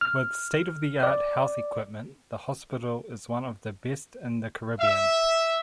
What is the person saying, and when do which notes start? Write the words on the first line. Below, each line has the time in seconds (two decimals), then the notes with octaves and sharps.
With state-of-the-art health equipment the hospital is one of the best in the Caribbean.
0.01 F6
1.03 D5
4.80 E5